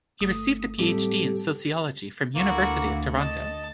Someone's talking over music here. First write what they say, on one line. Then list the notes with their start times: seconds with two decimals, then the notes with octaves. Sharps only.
He received a Ph.D in sociology from University of Toronto.
0.21 G1 A3 D#6
0.79 A2 F#3 G3 C4 G4 A4
2.35 D2 A#3 E4 F#4
3.19 D#5 A5